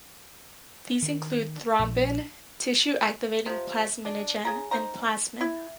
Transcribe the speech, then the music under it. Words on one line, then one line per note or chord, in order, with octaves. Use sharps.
These include thrombin, tissue activating plasminogen and plasmin.
D#3
A#1
C3 F3
D4
C#3 G#4 A#5
D#4 C5 A#5
E4